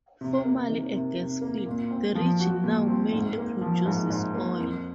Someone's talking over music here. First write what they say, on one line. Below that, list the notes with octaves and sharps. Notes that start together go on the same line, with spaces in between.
Formerly a gas field, the region now mainly produces oil.
C3
A#3
D#3
C3
C3
A#3
A#2
C4
F3
F#4
A#2
C4
G#2
A#3
F3
G#2
G#2
A#3
F2